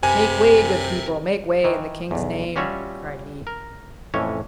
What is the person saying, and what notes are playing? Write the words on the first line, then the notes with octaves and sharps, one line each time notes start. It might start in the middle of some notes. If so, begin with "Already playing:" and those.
"Make way, good people--make way, in the King's name!" cried he.
F#2 C3 A#4 B4 G#5
D#3 E3
B1 E2
G3 C#4 F4 F#4 C#5 E5
A#4
F2 A2 E3 C#4 C#5